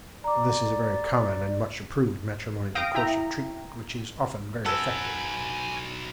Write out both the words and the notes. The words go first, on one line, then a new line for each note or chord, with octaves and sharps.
This is a very common and much-approved matrimonial course of treatment, which is often very effective.
D5 A#5 D6
F5 G5 D#6 A#6 D7
E4 E5 G5 A#5
B1 A4 B4 F#5 G#5